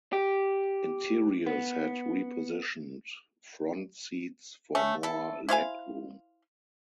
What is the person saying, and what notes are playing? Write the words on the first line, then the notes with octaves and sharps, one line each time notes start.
Interiors had repositioned front seats for more legroom.
G4
B3
A3 C#4
E4 A4
E4 C5 F5 G#5